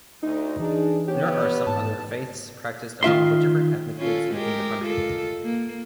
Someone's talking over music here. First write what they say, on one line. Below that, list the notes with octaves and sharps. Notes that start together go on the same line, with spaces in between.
There are some other faiths practiced among the different ethnic groups within the country.
D2 D#4
E3 D4 G#4
B3 G4 C#5
G#2 A5
D#3 F4 E5 C6
C#4 F4 A4
G#3 G4 A#4
F4 A4
A#3